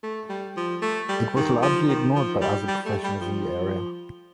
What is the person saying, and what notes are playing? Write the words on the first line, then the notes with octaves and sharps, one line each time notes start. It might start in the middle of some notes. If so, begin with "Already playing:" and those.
It was largely ignored by other professionals in the area.
A3
G3
F3
A3
G3
D#3
F3
D#3
F3
G3
G3
A3
G3
F3